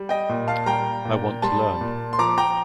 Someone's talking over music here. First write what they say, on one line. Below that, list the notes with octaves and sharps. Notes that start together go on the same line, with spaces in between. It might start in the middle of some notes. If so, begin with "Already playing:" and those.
I want to learn.
Already playing: G3
D#5 G5
A#2
F5 A5
G3 G5 A#5
A#2
G3 A5 C6
A#2
C6
F3 A#5 D6
G5 A#5